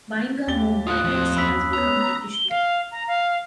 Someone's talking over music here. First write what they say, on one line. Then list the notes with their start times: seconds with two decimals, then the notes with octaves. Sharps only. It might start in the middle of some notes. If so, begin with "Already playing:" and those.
Buying a home by us has become an issue.
0.48 D#2 G4 A6 G7
0.87 A2 D3 F4 D#6 F#6
1.04 F3 C4
1.37 F#2 B5 E6 B6
1.73 B3 C#4 A#5 E6
2.33 G7
2.50 F5
2.92 A#5
3.08 F5